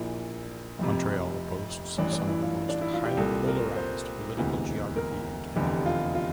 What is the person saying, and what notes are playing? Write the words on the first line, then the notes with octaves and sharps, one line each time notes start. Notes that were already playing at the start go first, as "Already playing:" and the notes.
Montreal boasts some of the most highly polarized political geography in Canada.
Already playing: A#1 A#2 E4
F1 F2 C3
A1 G2 E3 D4
D4
E4
F4
D4
E4
F4
G4
C2 A#2 A4
A#4
C5
E1 D2 C3 E3
A#4
F1 E2 D3 G4
F4
F4